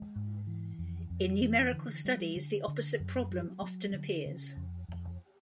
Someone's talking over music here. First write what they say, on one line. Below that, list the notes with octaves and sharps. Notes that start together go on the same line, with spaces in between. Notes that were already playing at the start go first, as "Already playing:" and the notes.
In numerical studies the opposite problem often appears.
Already playing: G#3
G#2
E3
F2
F2
E3
D3
G3
D3
D3
F#2
F#3
F#3
D3
C#3
F2
F2